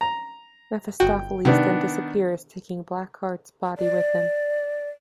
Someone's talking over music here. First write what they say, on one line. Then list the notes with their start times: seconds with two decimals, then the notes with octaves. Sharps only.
Mephistopheles then disappears, taking Blackheart's body with him.
0.01 A#5
1.00 G1 F#4 G5
1.45 C3 D#3 B3 D4
3.78 D5